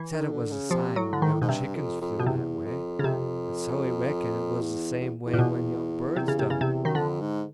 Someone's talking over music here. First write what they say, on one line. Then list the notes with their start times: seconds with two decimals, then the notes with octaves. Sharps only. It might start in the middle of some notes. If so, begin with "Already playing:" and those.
He said it was a sign when young chickens flew that way, and so he reckoned it was the same way when young birds done it.
Already playing: E3
0.12 D#3
0.31 D3
0.51 C#3
0.70 C3 F3
0.96 A2 F#3
1.13 D3
1.22 G#2 D#3
1.33 A2
1.41 G#2 B2
1.49 G2 C3
1.75 F2
2.01 F2
2.19 B2
2.26 E2 C3
2.66 F2
2.99 C#3
3.04 C3
4.61 E2
5.00 E2
5.26 E2
5.33 A#2
5.39 B2
6.16 C3
6.28 C#3
6.39 C3
6.50 C#3
6.61 C3
6.84 F#2 D#3
6.95 F2 D3
7.21 G#2